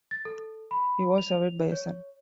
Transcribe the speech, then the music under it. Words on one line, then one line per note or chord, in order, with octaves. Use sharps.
He was survived by a son.
A6
A4
B5
F7
C#5